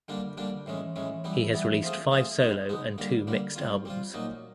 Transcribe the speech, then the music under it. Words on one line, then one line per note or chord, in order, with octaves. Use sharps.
He has released five solo and two mixed albums.
D3 G3 A#3 D4
D3 G3 A#3 D4
A2 E3 G#3 C#4
A2 E3 G#3 C#4
E3 G3 B3 E4
E3 G3 B3 E4
F3 A3 C4 F4 G#4
F3 A3 C4 F4 G#4
G#3 B3 D#4
G#3 B3 D#4
D3 G3 A#3
D3 G3 A#3
G3 C4 F4
G3 C4 F4
A#2 F#3 A#3 D#4